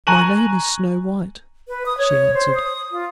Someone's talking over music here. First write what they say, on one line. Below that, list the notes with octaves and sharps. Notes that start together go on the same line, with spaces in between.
"My name is Snow-white," she answered.
G#5 A#5 C#6 F#6 D#7 F#7
B4
D#6
C#5
C5
D#6
F4